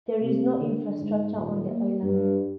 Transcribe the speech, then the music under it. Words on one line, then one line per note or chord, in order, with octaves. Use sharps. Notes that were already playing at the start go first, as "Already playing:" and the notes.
There is no infrastructure on the island.
C3
D3
G#2
D#1
A#3
G2